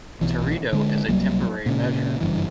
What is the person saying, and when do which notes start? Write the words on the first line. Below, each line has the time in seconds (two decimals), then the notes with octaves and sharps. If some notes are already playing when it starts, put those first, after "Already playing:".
Teredo is a temporary measure.
0.21 B1 E3
0.73 D3 G#3
1.08 C2 F#3 G3 A#3
1.66 A#2 C#3
2.21 F#1 G2 E3